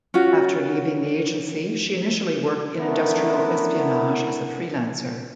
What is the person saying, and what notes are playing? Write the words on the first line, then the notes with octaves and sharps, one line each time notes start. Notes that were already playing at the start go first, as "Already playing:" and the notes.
After leaving the agency, she initially worked in industrial espionage as a freelancer.
C#4 F4 F#4
A3 B3 C#4 D4 E4 A#4